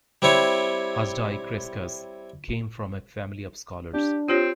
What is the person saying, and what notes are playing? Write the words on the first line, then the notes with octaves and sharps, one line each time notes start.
Hasdai Crescas came from a family of scholars.
G3 C4 E4 C#5
D4 G4
C4 F4 G4 C#5